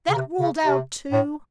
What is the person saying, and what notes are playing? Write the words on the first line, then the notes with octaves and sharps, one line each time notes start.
That ruled out too?
C#3
C3
C#3
C3
A2